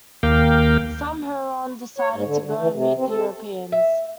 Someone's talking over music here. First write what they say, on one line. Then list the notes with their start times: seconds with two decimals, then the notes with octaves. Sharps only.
Some Huron decided to go and meet the Europeans.
0.23 D#2 A#3 F5 G5
1.98 C#5
2.13 G#2
2.25 D3
2.44 D3
2.59 E3
2.73 C3
2.97 C4
3.09 A4
3.72 E5